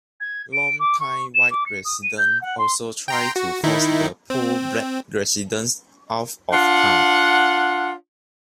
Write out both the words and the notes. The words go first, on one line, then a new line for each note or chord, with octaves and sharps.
Longtime white residents also tried to force the poor black residents out of town.
G#6
D7
D6
C#6
E7
D6
C#7
D#6
D#7
G6
F#5
C6
G5 A#5 C6
F#4
D#3 D#4 E4
C4
D4 F4 F#5